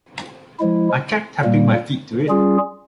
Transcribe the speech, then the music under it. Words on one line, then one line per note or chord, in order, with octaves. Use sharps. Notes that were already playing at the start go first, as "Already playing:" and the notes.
I kept tapping my feet to it.
F3 G#3 E4
A#2 G3 A#3
G3 C#4 F4 G#4